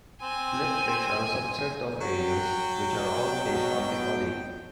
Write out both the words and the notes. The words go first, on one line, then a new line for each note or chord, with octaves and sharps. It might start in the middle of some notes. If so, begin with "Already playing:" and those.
"Flip tricks" are a subset of aerials which are all based on the ollie.
C4 G#5
F#3 G5
B2